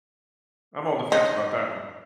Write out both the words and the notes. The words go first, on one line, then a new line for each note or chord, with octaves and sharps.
I'm on the fence about that one.
D#4